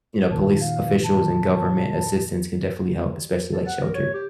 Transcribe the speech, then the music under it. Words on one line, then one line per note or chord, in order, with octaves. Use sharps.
you know, police officials and government assistance can definitely help, especially like shelter.
A#2 D#3 F3 A5
F5
A5
A4
F#5
A#4
C#5
G4